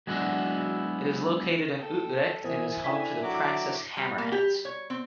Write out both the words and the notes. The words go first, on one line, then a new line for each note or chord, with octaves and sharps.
It is located in Utrecht and is home to the Praxis Hammerheads.
F#3 G#3 B3 D4 E4 F#4
A4 G5
E3 A#4 C5 E5 G#5 D#6
D4 E4 A4 G5 B6
F#3 E5 D6
G3
A#3
G4
C#5
C4